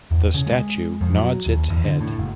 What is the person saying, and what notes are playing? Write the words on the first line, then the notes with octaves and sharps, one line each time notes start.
The statue nods its head.
E2
C#3
G#3
F2
F#3
D#2
E2
D3
A2
F#1